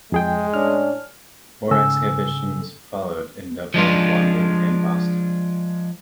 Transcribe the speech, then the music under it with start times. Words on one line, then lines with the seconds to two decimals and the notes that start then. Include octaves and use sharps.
More exhibitions followed in Dublin, London and Boston.
0.12 F2 G#3 G#4 G5
0.54 A2 C#4 D4 F6
1.71 G#2 C#3 A4 G#5 E6
3.74 F3 G#3 D4 F4